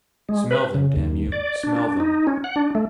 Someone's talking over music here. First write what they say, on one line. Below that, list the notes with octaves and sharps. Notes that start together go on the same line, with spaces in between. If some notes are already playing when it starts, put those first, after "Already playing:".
Smell them, damn you, smell them.
G#3
B4
C#3
D#2
D5
D4
D4
D#4
C#4
F#5
D4
A3